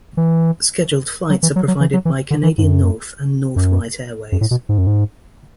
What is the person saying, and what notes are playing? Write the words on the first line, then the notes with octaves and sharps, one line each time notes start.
Scheduled flights are provided by Canadian North and North-Wright Airways.
E3
F#3
E3
F#3
F#3
E3
F#3
E3
D3
E3
G#2
F#2
F#2
F#2
A2
B2
G#2
F#2
G#2